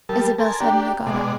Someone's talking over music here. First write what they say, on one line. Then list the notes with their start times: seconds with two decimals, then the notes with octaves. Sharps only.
Isabel suddenly got up.
0.09 G3 A#4 A5
0.38 A4 A#4 G#5 A5 C6
0.60 D4 G4 G5 A#5
1.06 B2 G#3 D5